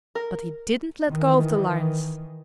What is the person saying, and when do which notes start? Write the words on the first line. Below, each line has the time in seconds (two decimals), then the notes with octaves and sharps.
But he didn't let go of the lines!
0.15 A#4
1.10 D#3 E3